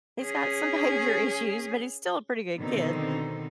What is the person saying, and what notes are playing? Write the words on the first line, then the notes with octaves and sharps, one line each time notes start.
he's got some behavior issues, but he's still a pretty good kid,
C#4 G#4
B2 D3 D#3 C4 D#4